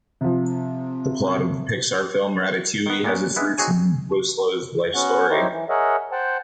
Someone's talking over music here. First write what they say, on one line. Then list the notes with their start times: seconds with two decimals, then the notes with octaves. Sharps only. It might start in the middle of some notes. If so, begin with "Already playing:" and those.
The plot of the Pixar film "Ratatouille" has its roots in Loiseau's life story.
0.21 C3 F3
2.86 D#3 B3
3.04 A#2 A#3 B3 C#4
3.36 G#3 B3 E4
3.58 C4 D#4 F#4 G#4 C#5 G#5
4.95 B3 C#4 F#4 F#5
5.30 D#4 E4 G4 C5 C#5
5.52 E3
5.69 G#4 A#4 C#5 D#5 E5 F#5
6.12 C5 F#5 G5 A5